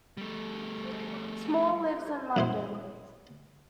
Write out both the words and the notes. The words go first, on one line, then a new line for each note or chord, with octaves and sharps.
Small lives in London.
G3 A3
F#2 E4 C5